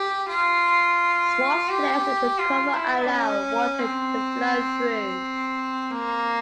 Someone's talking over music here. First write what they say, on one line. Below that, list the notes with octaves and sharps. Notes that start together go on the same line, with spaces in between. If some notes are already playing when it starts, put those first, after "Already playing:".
Small slits in the cover allow water to flow through.
Already playing: G4
F4
G4
F4
E4
C#4
C4
A#3